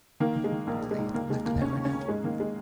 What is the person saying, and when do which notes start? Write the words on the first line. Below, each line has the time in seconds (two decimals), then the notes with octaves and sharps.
He played the clarinet.
0.20 D#3 A#3
0.36 D#3
0.44 G#3
0.52 D#3
0.67 A#1 A#3
0.83 A#1
0.91 G#3
0.99 G#2
1.14 D#2 A#3
1.30 D#2 G#3
1.46 D#2 A#3
1.61 D#2 C#4
1.73 C#4
1.77 D#2
1.85 C#4
1.93 C#3
2.08 G#2 G#3
2.24 D#3 A#3
2.40 G#3